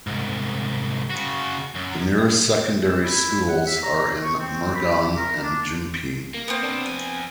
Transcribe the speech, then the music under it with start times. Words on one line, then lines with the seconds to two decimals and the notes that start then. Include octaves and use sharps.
The nearest secondary schools are in Murgon and Gympie.
0.07 C2 G#2
1.10 C#3 F#4
1.75 F#2
2.83 E6
3.04 E4
3.48 F#5
3.67 E5
3.83 A#5
4.24 C#6
4.39 C4
4.75 B5
5.17 A#4
5.43 D4
6.34 A#3
6.48 B3 C4
6.63 C3 D4
6.86 F2 G#5